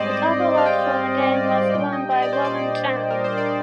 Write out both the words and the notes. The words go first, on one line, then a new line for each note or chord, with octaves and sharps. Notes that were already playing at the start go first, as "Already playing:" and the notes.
The cover art for the game was drawn by Warren Chang.
Already playing: G#2 G3 C4 C5 D5 D#5
C5
F5
G5
A#2 G3 D4 G5
D#5
D#5
D5
C5
D5
A#4
C5
D5